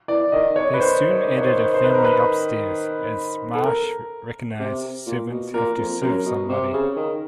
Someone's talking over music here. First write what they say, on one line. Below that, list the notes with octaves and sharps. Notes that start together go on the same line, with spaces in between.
They soon added a family upstairs, as Marsh recognised "Servants have to serve somebody".
E3 D5
D#3 D#5
C#5
B4
D#3 C5
C#5
C#5
C5
C5
B4
A#4
B4
A4
A#4
C3
A#2
B2
A#2 A#4
F2
F#2 A#4
B2
C3
C#3
D#3